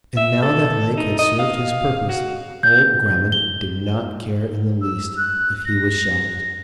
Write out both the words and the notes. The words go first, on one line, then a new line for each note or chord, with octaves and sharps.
And now that Lake had served his purpose old Grammont did not care in the least if he was shelved.
E5
A4
D#4
D#5
F5
F#4
G6
G7
E6
F#6
A#6